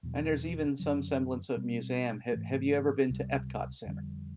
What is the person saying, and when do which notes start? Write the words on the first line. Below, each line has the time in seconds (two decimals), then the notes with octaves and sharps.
And there's even some semblance of museum, h have you ever been to EPCOT Center?
0.03 E2 B2 F#3
0.80 F#2 D3 F#3
1.57 B2 G3 C4
2.32 G#2 E3 A3
3.09 C#2 C3 D#3 G3
3.85 F2 D3 G3